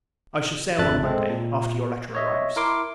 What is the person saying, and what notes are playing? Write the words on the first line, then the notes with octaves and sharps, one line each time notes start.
I shall sail, on Monday, after your letter arrives.
G#1 F2 D4 E5 F#6 A6
G#3 C4 A4
A#2
C#5 D#5 E5
E4 A#4 C6 D6